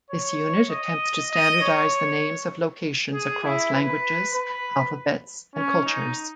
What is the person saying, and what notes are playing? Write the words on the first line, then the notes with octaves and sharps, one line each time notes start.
This unit attempts to standardize the names of locations across languages, alphabets, and cultures.
C#5
D#5
D#5
C#5
G#4
E4
B4
B4
C#4
D#4